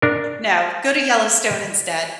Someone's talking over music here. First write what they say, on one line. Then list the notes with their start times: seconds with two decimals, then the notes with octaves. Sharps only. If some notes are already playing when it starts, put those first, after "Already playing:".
No, go to Yellowstone instead.
0.02 D4 A#4